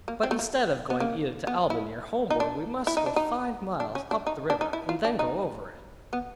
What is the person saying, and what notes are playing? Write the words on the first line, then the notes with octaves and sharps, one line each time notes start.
But instead of going either to Albany or homeward, we must go five miles up the river, and then go over it.
A#3
C4
A3
A#3
B3
A#3
B3
E4
D#4
D4
E4
D#4
D4
D#4
D4
C#4
D4
D#4
D4
D#4
E4
F4
D4
D#4
B3